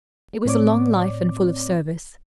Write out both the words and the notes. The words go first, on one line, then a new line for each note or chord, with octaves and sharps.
It was a long life and full of service.
A2 C4 C#5 D5 D6